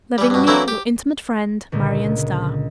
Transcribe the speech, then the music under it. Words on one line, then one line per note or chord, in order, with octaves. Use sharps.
Lovingly, your intimate friend--Marion Starr.
E3 G3
G2 B2
E3 F#3 A3 A#3 C4 E4
G4
C#2 A#2 D3